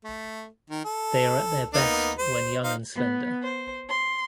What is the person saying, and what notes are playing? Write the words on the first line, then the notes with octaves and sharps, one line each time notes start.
They are at their best when young and slender.
A3
D#3
A4
A#3 B3 D#4
C5
D#4 C5 F5
B3
C5
C6